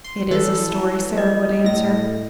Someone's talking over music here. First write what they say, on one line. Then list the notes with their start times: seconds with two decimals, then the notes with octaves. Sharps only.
"It is a story," Sara would answer.
0.04 C6
0.31 E3 A4
1.17 D#5
1.64 A2 A#6